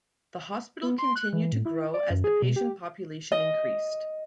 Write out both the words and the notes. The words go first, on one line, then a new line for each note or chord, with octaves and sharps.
The hospital continued to grow as the patient population increased.
B3
C6
F#6
E3
A2
E4
D5
F#2
G#4
B2
G4
D#5